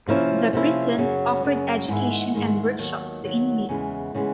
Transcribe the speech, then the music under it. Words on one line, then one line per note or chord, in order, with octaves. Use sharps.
The prison offered education and workshops to inmates.
C3 F3 A#3 C#4 E4
C3 F3 A#3 C#4 E4
F#2 C#3 F#3
F#2 C#3 F#3
G#2 D#3 G#3 B3 E4
G#2 D#3 G#3 B3 E4
D#2 D#3 F#3 B3
D#2 D#3 F#3 B3
E2 C#3 E3 G#3 B3
C#3 E3 G#3 B3